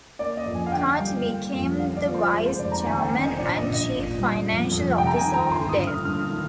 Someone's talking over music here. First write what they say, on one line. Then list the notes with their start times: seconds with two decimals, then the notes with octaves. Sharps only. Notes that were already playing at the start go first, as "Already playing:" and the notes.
Carty became the Vice Chairman and chief financial officer of Dell.
0.19 A#3 D5
0.37 D#5
0.46 F2
0.54 G#5
0.66 F5
0.72 D3 G5
0.99 G3
1.26 A#3
1.53 F2
1.79 D3 F5
1.97 D5
2.06 F3
2.14 C5
2.32 G#3
2.46 C5
2.59 F1 D5
2.72 A#5
2.85 D#2 G#5
2.99 G5
3.12 D3
3.25 D#5
3.38 A#1 D5
3.56 D#5
3.66 A#1
3.74 D#5
3.91 A#2
4.18 G3
4.45 F2
4.72 F2
4.98 C3 G5
5.07 A#5
5.16 G#5
5.25 D#3
5.34 A#5
5.52 G1 C6
5.69 D#6
5.78 G1
5.87 F6
6.05 G2 F6
6.31 D#3